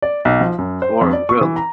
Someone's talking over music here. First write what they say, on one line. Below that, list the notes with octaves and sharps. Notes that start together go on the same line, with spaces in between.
or really
D5
B1
F3
F#2
C5
F2
D5
C#6
E3
A#5